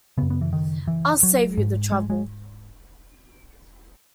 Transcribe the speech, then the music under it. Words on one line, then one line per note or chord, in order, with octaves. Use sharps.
I'll save you the trouble.
F#2 C#3 B3
B3
E3
D#3
E3
F#3
G#2
G#3
G#3